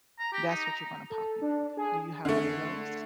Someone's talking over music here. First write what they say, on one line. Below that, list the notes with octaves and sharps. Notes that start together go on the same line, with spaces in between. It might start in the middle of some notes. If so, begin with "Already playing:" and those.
that's what you're gonna pop in. Do you have one of those?
A#5
G4
D#4
A#5
A4
D4
G#4
D3 A3